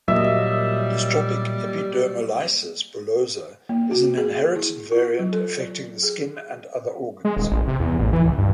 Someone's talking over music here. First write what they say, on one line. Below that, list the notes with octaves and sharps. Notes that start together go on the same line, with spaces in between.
Dystrophic epidermolysis bullosa is an inherited variant affecting the skin and other organs.
A#2 F#3 G3 A#3 D#5 E5
A#3
F#4
G#4
E4
F4
F#3
A4
D5
G#4
G#3
D#1
A1
C3
E2
A1
E3
C#2
G2